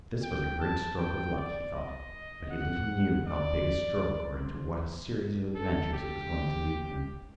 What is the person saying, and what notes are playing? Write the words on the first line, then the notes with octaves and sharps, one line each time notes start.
This was a great stroke of luck, he thought, but he little knew how big a stroke or into what a series of adventures it was going to lead him.
G5
A5
G5
D5
D#5
F#5
D5
C5
A4
G4